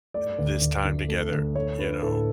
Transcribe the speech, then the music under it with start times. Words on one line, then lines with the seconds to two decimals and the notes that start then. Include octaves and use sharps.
this time together," you know?
0.14 A3 D5
0.39 D2
0.61 D2
0.85 D3
1.08 A3
1.32 D2
1.55 A3 C#5
1.78 D4 B4
2.02 A2 A4